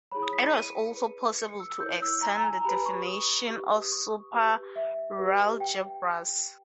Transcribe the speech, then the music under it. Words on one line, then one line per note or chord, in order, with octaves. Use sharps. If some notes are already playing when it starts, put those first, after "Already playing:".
It is also possible to extend the definition to superalgebras.
E4 G#4 C#5 B5
D#6
B6
C#7
D#7
E4 G#4 B4
C#7
C#7
E6
E6
E4 A#4 C#5 G6
E6
A#5
A#5
G#5
G4 B4 B5
C#6
D#6
G4 B4
D#6
C#6
G4 B4
E5
G4 B4
G5